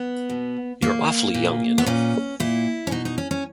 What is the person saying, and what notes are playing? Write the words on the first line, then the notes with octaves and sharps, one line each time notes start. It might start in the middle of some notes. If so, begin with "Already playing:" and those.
You're awfully young, you know.
Already playing: B3
B2
A#2 A#3
A#2
B3
A#2 C#4
A#2 E4
C#4
B2 D#4
D#4
C#4
C#4